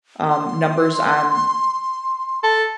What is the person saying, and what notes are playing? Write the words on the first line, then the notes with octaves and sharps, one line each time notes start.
um, numbers on
C6
A4